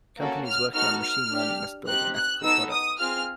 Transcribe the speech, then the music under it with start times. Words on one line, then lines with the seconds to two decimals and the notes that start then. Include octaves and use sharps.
Companies working on Machine Learning must build an ethical product.
0.18 A#3 C#4 F#4 A4
0.46 F6
0.74 B3 D#4 F#4 A4 F6
1.02 F6
1.31 D4 G4
1.87 C4 D#4 G4 F#6
2.15 F#6
2.42 B3 D#4 F#4 A4 E6
2.71 D#6
2.98 C4 F4 G#4 F6